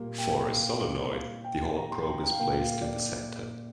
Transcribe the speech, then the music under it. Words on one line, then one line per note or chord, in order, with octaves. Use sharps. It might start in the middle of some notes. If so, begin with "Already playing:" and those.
For a solenoid the Hall probe is placed in the center.
Already playing: A#2 G3 A#3
G5
F5
F5
F5
G5
A#5
C6
G5
A#5
G5
F5
A#2 A#3 G5
F5
D5